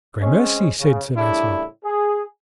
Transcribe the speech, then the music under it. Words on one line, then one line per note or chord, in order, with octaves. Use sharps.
Gramercy, said Sir Launcelot.
G#3 C4 C#4
C#3
A2 C#3 G3 D4 E4
G#4